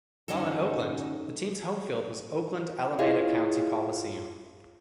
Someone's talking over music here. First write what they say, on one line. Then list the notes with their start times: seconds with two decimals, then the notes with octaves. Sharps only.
While in Oakland, the team's home field was Oakland-Alameda County Coliseum.
0.28 F#2 D3 C#4 D#4 F#4 A4
2.98 E4 F4 G#4 C#5 D#5 F5